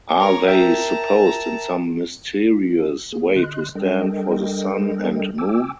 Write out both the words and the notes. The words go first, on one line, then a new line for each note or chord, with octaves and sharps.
Are they supposed in some mysterious way to stand for the sun and moon?
A#4 C#5
A#4 E5 G5 A5 A#5
A#3 G#4
D3 D#5 C6 F#6
G3 D4 A4 A#4 D#5 G5
G5 G#5 D6 E6